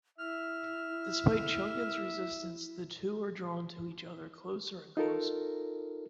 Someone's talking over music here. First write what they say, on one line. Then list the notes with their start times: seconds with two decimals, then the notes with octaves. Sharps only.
Despite Shunkin's resistance the two are drawn to each other closer and closer.
0.18 E4 E5 F6
4.97 D#4 F4 A4 A#4